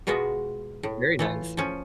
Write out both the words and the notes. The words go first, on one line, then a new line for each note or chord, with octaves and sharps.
Very nice.
B2 G#3 B3 F4 F#4
A2
E3 A3 F4
F3 C#4